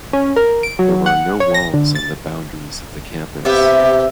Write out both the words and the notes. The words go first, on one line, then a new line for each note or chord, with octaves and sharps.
There are no walls on the boundaries of the campus.
C#4
A#4
D7
F#3
F#5
C#5
A#6
D3
A6
C3 B3 G4 E5